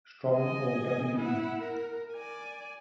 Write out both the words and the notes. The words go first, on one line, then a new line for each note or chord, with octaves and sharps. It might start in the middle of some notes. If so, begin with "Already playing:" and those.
Strong or W. B.
D#5 G#5
E4 F#5
A#4
D5 G#5